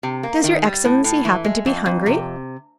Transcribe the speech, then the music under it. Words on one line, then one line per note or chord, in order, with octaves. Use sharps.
"Does your excellency happen to be hungry?"
C3
A#3
D#3
G3
A2
A2
E3
G#3
F2
F2
C3